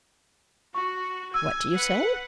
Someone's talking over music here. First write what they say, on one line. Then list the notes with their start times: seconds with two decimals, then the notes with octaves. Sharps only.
"What do you say?"
0.75 F#4 C#6
1.34 G#5 E6
1.74 B4 F#5